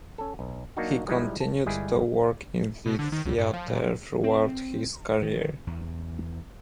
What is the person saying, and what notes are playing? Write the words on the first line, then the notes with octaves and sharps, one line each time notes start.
He continued to work in the theatre throughout his career.
C#4 A4
B1
F#3 A#3 D4 D#4 F#4
F3 G3 G#3 D#4 E4
A5
G1 G3 G#3 E4 G#4
B2
D3
D#3
C#2
G2
F3
A#2
C4
D#3
E2